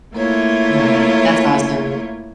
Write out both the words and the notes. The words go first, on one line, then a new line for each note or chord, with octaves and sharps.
Right, that's awesome.
A3 A#3 E4 F4 C#5